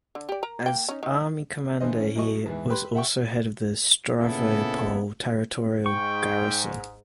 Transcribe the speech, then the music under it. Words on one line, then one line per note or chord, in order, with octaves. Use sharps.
As army commander he was also head of the Stavropol Territorial Garrison.
D3
G4 D5
A#4 A#5
A#3 G5
C#4 D#4
D#3
D3 E3 C5 D#5
C#4
A1 F#3 A3 D#5 C#6
E2 G#2 E3
G4 B4 B5 C6
E5 F#5 G5 C#6
A#2 C#3 B3 E4 A4
G#2 G5 C#6